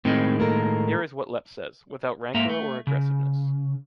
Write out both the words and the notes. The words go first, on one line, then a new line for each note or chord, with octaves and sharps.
Here is what Léppé says, without rancor or aggressiveness.
A2 D#3 G#3 C4
A#3 A4 A#4
G#2 A#3 A4 E5 A#5
A3
C#3